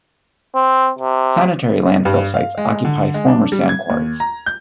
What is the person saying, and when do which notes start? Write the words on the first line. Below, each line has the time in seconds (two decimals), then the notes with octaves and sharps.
Sanitary landfill sites occupy former sand quarries.
0.55 C4
0.99 C3
2.05 G2
2.34 F5
2.57 G#3
2.85 D3
3.14 G#3
3.28 D4
3.52 G3
3.69 G#6
3.90 D#2
4.20 A#5
4.46 G6